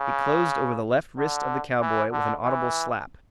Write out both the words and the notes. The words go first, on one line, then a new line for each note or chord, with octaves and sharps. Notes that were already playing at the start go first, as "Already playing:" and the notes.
It closed over the left wrist of the cowboy with an audible slap.
Already playing: C#3
D3
E3
D3
E3